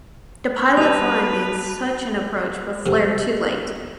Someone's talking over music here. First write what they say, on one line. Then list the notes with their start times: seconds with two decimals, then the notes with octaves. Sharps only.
The pilot flying made such an approach but flared too late.
0.77 G3 B4 A5 F7
2.86 B1 C3